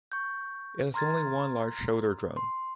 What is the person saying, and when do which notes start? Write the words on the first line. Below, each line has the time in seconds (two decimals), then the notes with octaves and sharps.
It has only one large shoulder drone.
0.12 C#6 G6
0.94 A#5 C6 F6 G#6 A6
2.37 C6